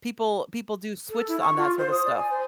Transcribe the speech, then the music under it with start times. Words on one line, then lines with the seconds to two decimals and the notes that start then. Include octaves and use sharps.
people people do switch on that sorta stuff.
1.10 A4
1.28 E4
1.41 C#6
1.57 F4
1.78 C5
1.92 D#6
2.05 D5
2.17 G#5
2.31 C5